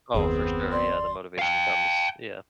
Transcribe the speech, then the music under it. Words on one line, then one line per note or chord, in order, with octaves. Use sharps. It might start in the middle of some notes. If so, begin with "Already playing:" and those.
I oh, for sure, yeah. The motivation comes, yeah.
F#1 D#2 B3 C4 G#4
D5 C6
F5 G5